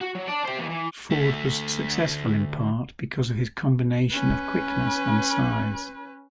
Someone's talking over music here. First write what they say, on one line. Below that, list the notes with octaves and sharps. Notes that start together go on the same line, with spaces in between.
Ford was successful in part because of his combination of quickness and size.
F#4
F#3
D5 A5
G4 C5
D#2 E3
E3
D2 A3
C#4 B4